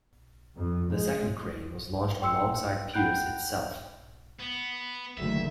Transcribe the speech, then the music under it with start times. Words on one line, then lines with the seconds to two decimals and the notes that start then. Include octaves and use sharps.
The second crane was launched alongside Pirs itself.
0.56 F2
0.92 G#3
2.22 G5 C6 E6 C#7
2.93 F#5 G5 B5 F#6 G6 D7
4.40 B3
5.17 F#1 D2 D#3 E5